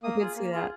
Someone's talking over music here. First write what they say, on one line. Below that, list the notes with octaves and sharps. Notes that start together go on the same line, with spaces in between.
I did see that.
A#3 D#6
F4 G#4
A#3
F4 G#4